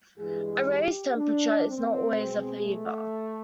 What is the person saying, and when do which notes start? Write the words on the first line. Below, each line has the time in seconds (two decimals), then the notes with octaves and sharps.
A raised temperature is not always a fever.
0.16 G2 E3 G#3 G#4
0.66 G4
1.16 D4
1.65 C4
2.14 B2 G#3
2.64 A3